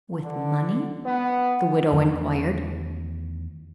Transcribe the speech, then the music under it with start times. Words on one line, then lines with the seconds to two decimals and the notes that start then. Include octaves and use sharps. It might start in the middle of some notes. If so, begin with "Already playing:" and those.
"With money?" the widow inquired.
0.23 D3
1.06 B3
1.92 E2 D#3 F#3 A3